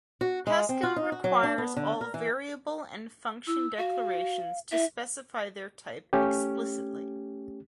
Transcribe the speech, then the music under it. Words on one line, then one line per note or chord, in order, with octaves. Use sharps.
Pascal requires all variable and function declarations to specify their type explicitly.
F#4
G#3
C4
F4
D#4
F#4
F#3
D4
B3
D3
A#4
E3
E4 E6
F#4 F5
E4 E5
A3 C#4 G4